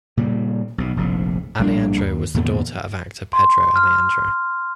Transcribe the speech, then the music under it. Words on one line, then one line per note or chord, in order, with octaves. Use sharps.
Aleandro was the daughter of actor Pedro Aleandro.
A#2 C#3 G3
B1 B2
F1 A#1 G#2
A#1 G3 A#3 D4
D#2
E2 A#2 D3 B3
C6
F6